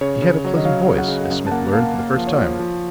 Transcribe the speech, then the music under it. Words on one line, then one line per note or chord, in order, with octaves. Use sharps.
He had a pleasant voice, as Smith learned for the first time.
C#3 C#5
C#3
F#3 C#5
D#5
F#3 F5
C#3
F#5
C#3
F#2 F#5
A5
A#3 F#5
A#3 F5
A#3
F3
C#5
F3
F3